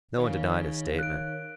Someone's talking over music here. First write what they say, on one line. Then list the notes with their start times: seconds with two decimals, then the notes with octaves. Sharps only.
No one denied his statement.
0.18 D#3 C#5 F5
0.99 F#6 D7